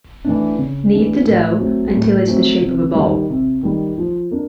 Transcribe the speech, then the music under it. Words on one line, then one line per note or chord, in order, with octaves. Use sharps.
Knead the dough until it is the shape of a ball.
E3 A3 D4
C#3
E3 A3 D4
A2
F#3 A3 C4
A2
F#3 A3 C4
C3
D#3 G3
C3
D#3 G3
F3
A#3 D4